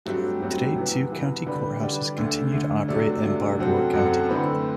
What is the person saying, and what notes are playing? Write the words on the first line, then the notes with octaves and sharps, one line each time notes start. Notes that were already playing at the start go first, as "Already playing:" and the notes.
Today, two county courthouses continue to operate in Barbour County.
G2 F#3 A3 C4 G4
G2 F#3 A3 C4 G4
C3 E3 B3
C3 E3 B3
D3 G3 D4 G4 B4
D3 G3 D4 G4 B4
D2 D3 A3
D2 D3 A3
C3 F#3 A3 D4
C3 F#3 A3 D4
F#2 F#3 C4 F#4 A4
F#2 F#3 C4 F#4 A4
D3 A3 C4 E4 B4